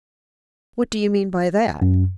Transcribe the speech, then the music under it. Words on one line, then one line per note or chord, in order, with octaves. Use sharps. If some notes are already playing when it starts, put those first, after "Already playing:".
"What do you mean by that?"
F#2